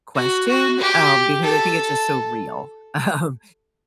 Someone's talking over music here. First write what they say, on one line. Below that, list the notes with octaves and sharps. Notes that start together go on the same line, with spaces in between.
question, um, because I think it's just so real. Um,
F#4
F#4
G4
A4